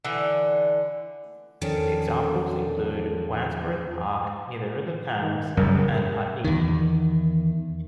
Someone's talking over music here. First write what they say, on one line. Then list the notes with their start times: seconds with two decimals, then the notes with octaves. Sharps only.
Examples include Wandsworth Park near the River Thames and Putney Heath.
0.04 D3 E3
1.62 E2 D#3 F3 C#4 D4 A4 A#4
5.22 D#3
5.57 F#2 C#3 G3 A#4
6.45 E2 D#3